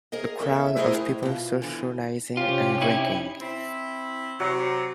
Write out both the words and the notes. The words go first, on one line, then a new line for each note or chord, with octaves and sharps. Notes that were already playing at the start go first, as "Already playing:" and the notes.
A crowd of people socializing and drinking.
G#4 A#4 C#5 D#5
E2 A4 E5
A3 E4 G#4 A#4 C5 D#5
A2
B2 F4
D3 E3
C3 C#4 F4 G4
D#4 E4
C4 E4
C3 F#3